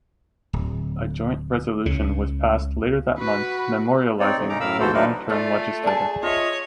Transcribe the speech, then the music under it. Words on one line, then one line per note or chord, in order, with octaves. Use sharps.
A Joint Resolution was passed later that month memorializing the longtime legislator.
D1
C#2 C#3
F#4 B4
C4 D#4 C#5 D5
E2 C3 A3
C#3 C#4 D#4 A#5 D6
F#2 A2 A#4 F5 B5 E6
D#2 B2 E3 F#4 A4 C5
F#3 A#3 D4 D#4 A#4 B4
A3 F4 A4 D5
G#4 D5 A5
F4 C#5 D#5 E5